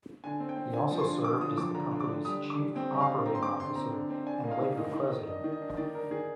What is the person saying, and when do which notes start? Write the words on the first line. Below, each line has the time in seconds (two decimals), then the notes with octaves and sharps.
He also served as the company's chief operating officer and later president.
0.24 D3 G#5
0.40 C4
0.49 G5
0.57 C4
0.74 D3 G#5
0.91 F3
1.00 C6
1.08 D3
1.24 D3 D6
1.41 D3 D#6
1.58 F3 D6
1.75 D3 A#5
1.91 D3
2.00 D6
2.08 D3
2.25 G3 D#6
2.42 D3
2.50 D6
2.59 G3
2.75 C4 G5
2.92 G3 D#5
3.01 F5
3.10 D3
3.26 C4 A#5
3.35 C6
3.42 C4 D6
3.59 D3 C6
3.76 C4 A#5
3.93 D3
4.10 C4
4.26 D4 G#5
4.44 A#3 D#5
4.51 F5
4.60 D#3
4.77 D#3 D#5
4.94 D#3
5.02 D#5
5.11 D#3
5.27 D4 D#5
5.44 D#3
5.52 D#5
5.61 D4
5.77 D#3 D5
5.95 D4 A#4
6.11 D#3 G#4